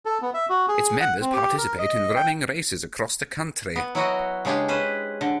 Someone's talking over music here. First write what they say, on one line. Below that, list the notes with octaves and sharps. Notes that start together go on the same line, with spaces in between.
Its members participate in running races across the country.
A4
B3
E5
F#4
G#4
F#5
C4
G4
A#4
D#5
G5
B3
F#3 E4 F#4 D#5
C#3 G#3 D4 G4 G#4
C#4 B4 C5
D3